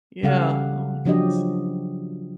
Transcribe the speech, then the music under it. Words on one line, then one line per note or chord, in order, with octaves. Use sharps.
Yeah, oh my goodness.
C#3 G3 G4 A4 F5 F#5
F3 F#3 D4 G4 D#5